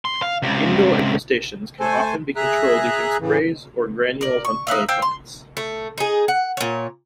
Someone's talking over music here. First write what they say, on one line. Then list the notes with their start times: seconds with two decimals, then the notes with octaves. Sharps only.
Indoor infestations can often be controlled using sprays or granules on potted plants.
0.05 C6
0.22 F5
0.42 C#2 C3
1.80 A3 A4 C5 G#5
2.36 G#4 E5 A#5 F#6
3.20 A2 C#3 E3
4.21 A#4 D5
4.45 C#6
4.67 D#4 B4 E5 F5
4.89 C5 F5 G5 E6
5.02 C6
5.57 A3
5.98 D#4 G#4
6.28 F#5
6.57 A#2 C#5